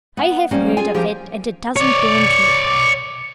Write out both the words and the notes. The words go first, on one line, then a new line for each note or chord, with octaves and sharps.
"I have heard of it--and it doesn't daunt me."
B3
F3 G3 A#3 C#4
F4 G#4 G#5
F3 G4 G#4 A#4
C#5 D5